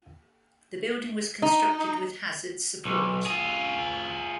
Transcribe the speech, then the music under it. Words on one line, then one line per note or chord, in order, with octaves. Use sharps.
The building was constructed with Hazard support.
D#4
B1
F4 G#4